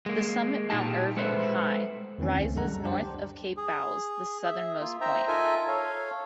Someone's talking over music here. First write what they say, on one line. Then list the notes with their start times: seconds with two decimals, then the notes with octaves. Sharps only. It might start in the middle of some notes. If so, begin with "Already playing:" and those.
The summit Mount Irving, high, rises north of Cape Bowles, the southernmost point.
0.06 G#3 A#3
0.70 A#2 D#4 G4 A5
1.17 G#3 A4 B4 C5 E5
2.18 E2 D#3 E3 A3 C4 C#4
2.37 C#2
2.56 F#2 D3 G#3 A4 F#5 A#5
2.68 G3
2.84 D4 G4 C5
3.57 G#4
4.44 G#4 E5
4.80 A#3 F4
5.01 D#4 C5 E5 G5 A#5
5.28 D#4 F4 A4 A#4 E5 G#5
5.68 A4 C#5 F5